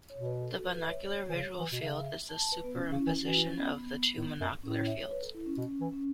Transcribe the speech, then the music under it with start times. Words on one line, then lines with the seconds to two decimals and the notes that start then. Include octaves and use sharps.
The binocular visual field is the superimposition of the two monocular fields.
0.10 C#5
0.17 B2
0.26 B4
0.41 A4
0.53 F#4
0.60 A4
0.64 B4
0.76 B4
0.83 E5
0.88 C#5
1.29 E3
1.34 C#3
1.59 E3
1.72 B2
1.82 C#3 E5
2.29 A5
2.41 A5
2.52 B4
2.64 B3
2.75 B2 C#4
2.88 C#4
2.92 C#3
2.99 E4
3.07 E3
3.11 C#4
3.22 E3 F#4
3.35 E4
3.46 C#4
3.58 B3
4.17 A2
4.40 F#2
4.63 A2 C#4
4.75 C#5
4.87 E5
4.99 C#5
5.11 B4
5.23 A4
5.35 E4
5.46 C#4
5.57 B2
5.81 E3
5.93 C#4